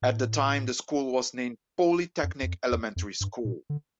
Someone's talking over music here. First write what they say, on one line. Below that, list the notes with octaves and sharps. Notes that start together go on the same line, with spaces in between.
At the time, the school was named Polytechnic Elementary School.
A2
F2
E2
F2
E2
F2
G2
A#2
D3